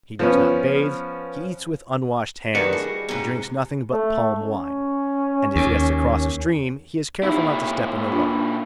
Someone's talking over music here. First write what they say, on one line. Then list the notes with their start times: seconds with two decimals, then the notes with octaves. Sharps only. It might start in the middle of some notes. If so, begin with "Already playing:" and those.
He does not bathe, he eats with unwashed hands, he drinks nothing but palm wine, and if he has to cross a stream he is careful not to step in the water.
0.19 F3 B3 C#4
2.55 D#3 G3 A3 F#4 G4 B4 D5
2.73 G#3 E4
3.09 G#2 C3
3.92 A3
4.41 C#4
5.56 D#2
7.23 A#2 D#4 E4 G4
8.12 D4 F4